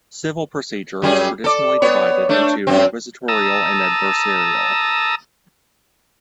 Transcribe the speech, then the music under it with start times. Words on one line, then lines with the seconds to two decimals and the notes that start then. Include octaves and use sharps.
Civil procedure is traditionally divided into inquisitorial and adversarial.
1.02 F#2 G3 G#4
1.44 A4 D5
1.82 B3 C#5
2.29 A3 D4
2.67 F#2 C4
3.28 A5 A#5 D#6 E6